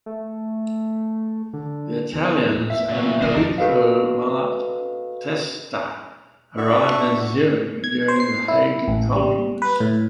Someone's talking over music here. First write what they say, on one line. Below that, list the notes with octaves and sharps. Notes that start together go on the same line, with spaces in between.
The Italians and Errico Malatesta arrived in Zurich during the Hague Congress.
A3
D3
E2
E5
A#2 F#3
G1 F#3 C#4 C5 D#5
G#1 F2 B2 D4 D#4
F#4 A4 B4 D#5 F5
D4 F#4 A4 E5 C#6
G#6
C5
C7
E4
A1
G3
B4
A2